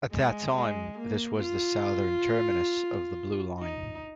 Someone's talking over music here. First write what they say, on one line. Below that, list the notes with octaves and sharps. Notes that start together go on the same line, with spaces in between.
At that time, this was the southern terminus of the Blue Line.
G#3
G#3
A#3
F4
D#4